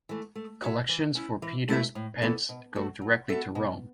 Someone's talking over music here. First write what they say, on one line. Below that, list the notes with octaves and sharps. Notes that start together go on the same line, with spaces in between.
Collections for Peter's Pence go directly to Rome.
E3 A3
A3
F#4 C#5 E5
E3
C#4 E4
E3
A3 E4 B4 E5
A2
E3 B3 E4 A4
B2
A3 F#4 A4
F#3
B3 F#4 A4 E5
B2